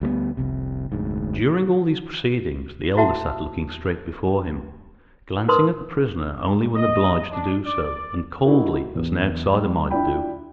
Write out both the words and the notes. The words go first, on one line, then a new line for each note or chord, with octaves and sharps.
During all these proceedings the Elder sat looking straight before him, glancing at the prisoner only when obliged to do so, and coldly as an outsider might do.
D2 G3 G#3 B3
F1 C2 C3
F1 D2 G#2
E4 F#4 E5 F#5 A5
D#4 A#4 B4 C6 D#6
D#5
D4
D5
D#4 E4 F#4 A#4
E2
G3
D4 E4 F4 D5 G5 B5